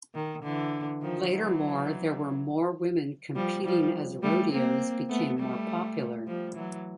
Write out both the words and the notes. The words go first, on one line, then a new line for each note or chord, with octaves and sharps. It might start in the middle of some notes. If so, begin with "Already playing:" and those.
Later more there were more women competing as rodeos became more popular.
D#3
D3 E3
D#3 F3
E3 F#3
F3 G3
F3 G3
G3 A3
A#3 C4
A3 B3
G3 A3
F3 G3
E3 F#3